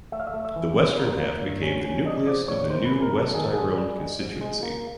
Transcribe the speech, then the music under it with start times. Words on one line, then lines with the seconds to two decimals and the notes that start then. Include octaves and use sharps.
The western half became the nucleus of the new West Tyrone constituency.
0.12 A3 E5
0.20 F5
0.27 E5
0.34 A3
0.45 E5
0.56 E3
0.76 G3
0.98 A#3
1.20 A#3
1.41 G2
1.62 C#4
1.84 C#4
2.05 D4 D#5
2.27 F3 D5
2.48 A2 C#5
2.70 D#3 C5
2.86 B4
2.91 G#3
3.02 A#4
3.12 F#2
3.18 A4
3.34 D#3 G#4
3.44 A4
3.53 G3 G#4
3.77 G3
3.98 G#3
4.20 G#2
4.41 G#3
4.63 A#3